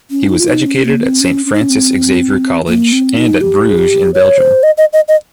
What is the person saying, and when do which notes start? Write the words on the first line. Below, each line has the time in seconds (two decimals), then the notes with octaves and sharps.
He was educated at Saint Francis Xavier College, and at Bruges in Belgium.
0.11 C#4
0.29 D#4
0.40 F4
0.48 D#4
0.66 C#4
0.84 A#3
1.03 C4
1.21 C#4
1.46 C#4
1.53 D#4
1.62 C#4
1.70 C4
2.68 A#3
2.92 C4
3.17 D#4
3.41 G4
3.70 G#4
3.78 G4
4.14 C#5
4.38 C5
4.63 D#5
4.78 D#5
4.93 D#5
5.08 D#5